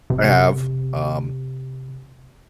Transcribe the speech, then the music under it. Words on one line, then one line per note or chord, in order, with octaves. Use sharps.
I have, um,
F1 C3